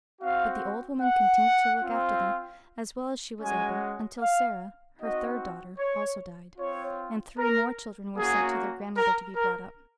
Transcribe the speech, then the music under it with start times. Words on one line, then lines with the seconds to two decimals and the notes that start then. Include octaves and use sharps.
But the old woman continued to look after them, as well as she was able, until Sarah, her third daughter, also died, and three more children were sent to their grandmother to be brought up.
0.21 C4 F#4 F5
1.01 F#5
1.81 C4 F4
3.40 G#3 C#4 F#4 G#5
4.19 F5
4.98 C4 D#4 F#4 D#5
5.78 C#5
6.57 C4 F4 C#5
7.37 A#4
8.17 A#3 C#4 F#4 G#4
8.96 A#4
9.36 A#4